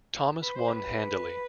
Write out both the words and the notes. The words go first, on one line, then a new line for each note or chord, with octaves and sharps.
Thomas won handily.
B4
C5
B4